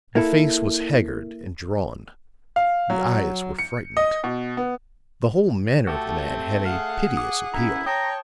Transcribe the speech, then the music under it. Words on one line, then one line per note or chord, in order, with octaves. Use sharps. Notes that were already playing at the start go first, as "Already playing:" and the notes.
The face was haggard and drawn; the eyes were frightened; the whole manner of the man had a piteous appeal.
A#3 E4 A4
F5
F#3
C#7
D#5
B2
B3
A3 F#4 G4 A4
C4 G4
G#4 F5 F#5
D6 D#6
C#4 E4 A4 A#5
C#5 G5 A5 A#5 D#6